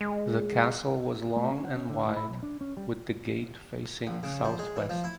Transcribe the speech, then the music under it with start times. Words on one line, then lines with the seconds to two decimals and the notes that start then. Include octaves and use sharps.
The castle was long and wide with the gate facing southwest.
0.01 G#3
1.36 A3
1.50 C#4
1.65 F#5
1.76 C#4
1.89 D3
2.04 A2
2.16 E4
2.29 B1
2.43 D4
2.61 C#4
2.77 G3
4.07 A#1
4.23 C#3
4.44 F3
4.59 G#3
4.76 E3
4.89 F3
5.04 E4